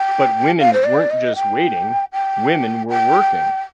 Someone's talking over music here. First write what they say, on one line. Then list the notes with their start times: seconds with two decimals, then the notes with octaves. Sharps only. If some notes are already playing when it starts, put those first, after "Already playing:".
But women weren't just waiting; women were working.
Already playing: G5
0.59 F5
0.73 C5
0.84 D5
1.10 D#5
1.35 G5
2.13 G5
2.90 G5